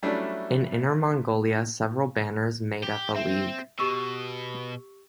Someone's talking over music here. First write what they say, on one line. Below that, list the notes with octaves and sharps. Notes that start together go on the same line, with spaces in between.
In Inner Mongolia, several banners made up a league.
F#3 G3 A3 C#4 D4 E4
G4
C4 E5
B2 G4 C#6 E6